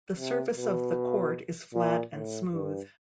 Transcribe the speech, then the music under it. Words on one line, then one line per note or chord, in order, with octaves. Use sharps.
The surface of the court is flat and smooth.
C3
B2
A#2
A2
G2